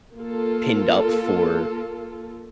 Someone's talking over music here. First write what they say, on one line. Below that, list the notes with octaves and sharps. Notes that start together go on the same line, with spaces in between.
pinned up for,
A#3 F4 A4